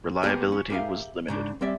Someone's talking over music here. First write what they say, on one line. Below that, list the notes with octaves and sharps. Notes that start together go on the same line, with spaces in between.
Reliability was limited.
F3 A#3 B3 C#4 G4 G#4
C#4
G4 G#4 A#4 E5 F5
G#2 C#3 D4
G3 C4 C#4 D5 E5